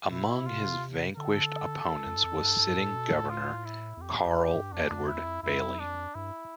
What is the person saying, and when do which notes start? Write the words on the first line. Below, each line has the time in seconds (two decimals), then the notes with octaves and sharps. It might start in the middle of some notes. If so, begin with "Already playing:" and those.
Among his vanquished opponents was sitting Governor Carl Edward Bailey.
0.10 B2 E4
0.28 B2
0.46 C3 F4
1.17 D3 A4
2.06 F2
2.17 G2
2.24 F2
2.42 G2
2.59 G2
2.78 A2
2.94 B2
3.13 A2
3.30 F4
3.66 E4
3.97 E2
4.02 F2 G4
4.26 F2
4.37 E2 G4
4.46 F2
4.54 G2
4.72 F2 D4
4.91 F2
5.07 E2 E4
5.25 F2
5.43 F2 E4
5.79 D4
6.15 G2 E4